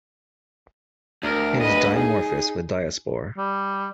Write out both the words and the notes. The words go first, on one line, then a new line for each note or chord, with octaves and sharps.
It is dimorphous with diaspore.
D2 A#4
B4 D#5
D#4 G#4
G3